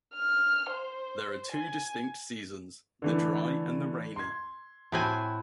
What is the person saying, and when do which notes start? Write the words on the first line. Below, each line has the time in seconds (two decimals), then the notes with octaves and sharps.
There are two distinct seasons, the dry and the rainy.
0.14 F6
0.70 C5
1.52 G#5
3.02 D3 E3 A3
4.16 C6 G#6
4.92 A2 C4 F#4 G#5 B5